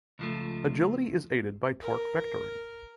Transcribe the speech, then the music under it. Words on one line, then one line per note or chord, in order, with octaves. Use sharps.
Agility is aided by torque vectoring.
C#2 F3 A3
A#4